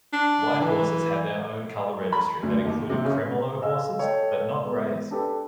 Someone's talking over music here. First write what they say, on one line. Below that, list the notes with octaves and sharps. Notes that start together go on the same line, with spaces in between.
White horses had their own color registry that included cremello horses, but not grays.
D4
E3
B5
D2
D#2
C3
C#3
D#5 F5 G#5 E6
A4 C#5 D#5 G5
G#3 B3
D4 G4 A4 B4